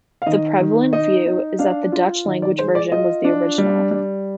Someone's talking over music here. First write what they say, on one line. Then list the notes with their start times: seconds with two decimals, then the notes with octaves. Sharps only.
The prevalent view is that the Dutch-language version was the original.
0.22 F5
0.26 D#3 D#5
0.60 D#3
0.93 D#4 D#5
1.26 D#4
1.59 D4 F5
1.92 F4
2.25 D#3 D#5
2.42 D5
2.59 G#3 C5
2.75 D5
2.92 F4 D#5
3.25 D4
3.58 G3
3.91 G3